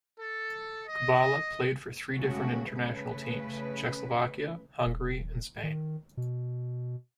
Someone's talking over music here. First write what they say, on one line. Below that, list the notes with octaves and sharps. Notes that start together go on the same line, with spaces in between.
Kubala played for three different international teams - Czechoslovakia, Hungary and Spain.
A4
D#5
C#3 G#3 A3 F#4
C#3 A3 B4
D#1
D#3
B2